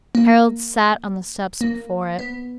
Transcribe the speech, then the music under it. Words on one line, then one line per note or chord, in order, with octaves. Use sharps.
Harald sat on the steps before it.
A#3
A#3
B3